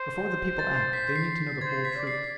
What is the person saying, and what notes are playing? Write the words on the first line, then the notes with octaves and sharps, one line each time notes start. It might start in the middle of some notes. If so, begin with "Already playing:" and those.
Before the people act, they need to know the whole truth.
Already playing: C5
A6
B6
B6
C7
C5 G#6
B6
D5
C7